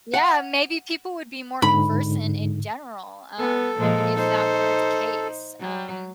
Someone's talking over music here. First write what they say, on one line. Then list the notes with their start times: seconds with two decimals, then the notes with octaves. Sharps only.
Yeah, maybe people would be more conversant in general, um, if that were the case, um,
0.14 F#5
1.62 G#2 D3 B5
3.39 B3 A4
3.77 A#2 F3 G#3
4.15 D#4 C5
5.60 F#3